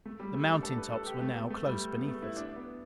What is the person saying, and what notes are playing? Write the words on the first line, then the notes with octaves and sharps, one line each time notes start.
The mountain tops were now close beneath us.
A3
G3
A3
D4
A4
B4
A4
G4
A3
B3
A3
G3
B3
A3
E4
D4
B3